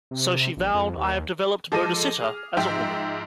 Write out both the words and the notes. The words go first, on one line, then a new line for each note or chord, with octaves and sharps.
So she vowed, I have developed bodhicitta as a woman.
C3
A#1
F2
D#2
F3 G#3 A4 D6 A#6 D#7
G#4 F6
G#2 F3 E5 G5